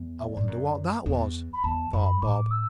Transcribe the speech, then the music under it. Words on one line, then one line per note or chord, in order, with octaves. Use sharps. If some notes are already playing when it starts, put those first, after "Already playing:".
"I wonder what that was?" thought Bob.
Already playing: E2
E5
D5
A2
F#2 D5
E2
B5
E2 A5
F#2 B5
A2 D6
E6